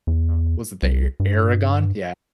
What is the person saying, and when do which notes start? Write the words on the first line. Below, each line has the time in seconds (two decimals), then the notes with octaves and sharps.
Oh, was it the E Eragon? Yeah.
0.07 E2
0.83 C2
1.20 G2